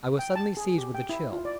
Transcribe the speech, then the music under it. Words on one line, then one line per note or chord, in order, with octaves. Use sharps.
I was suddenly seized with a chill.
G5
A5
G#4
G4
G5
E4
F4
D5